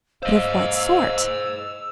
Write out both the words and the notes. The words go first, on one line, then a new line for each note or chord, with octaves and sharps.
"But of what sort?"
C5 D#5 F5 E6